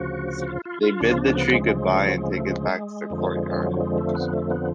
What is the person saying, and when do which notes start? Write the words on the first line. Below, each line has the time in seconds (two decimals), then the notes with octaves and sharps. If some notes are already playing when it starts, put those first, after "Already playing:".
They bid the tree goodbye and take it back to the courtyard.
Already playing: D2 C#3 F3 F#4
0.48 F4
0.65 F4
0.83 F4
1.00 D2 C#3 F3 D4
1.09 F4
1.18 D4
1.35 B3
1.53 G#3
2.05 F#3
2.18 G#3
2.32 A3
2.45 G#3
3.10 F2 D3 F3
3.63 F#3
3.80 G#3
3.98 A3
4.15 B3
4.33 A3
4.50 B3